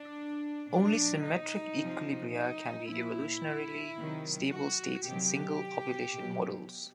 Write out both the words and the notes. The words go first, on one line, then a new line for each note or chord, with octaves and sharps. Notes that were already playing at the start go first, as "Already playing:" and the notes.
Only symmetric equilibria can be evolutionarily stable states in single population models.
Already playing: D4
B2 F#3 D4
D#4
C3 F3
D#4
A#2 F3 E4
C3 D#3 F#3
F#4
C3 D#3 F#3 G4
B2 F#3